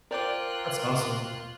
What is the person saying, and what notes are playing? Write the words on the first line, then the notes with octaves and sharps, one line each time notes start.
That's awesome.
F4 A#4 C5 D5 G5 D6 F#6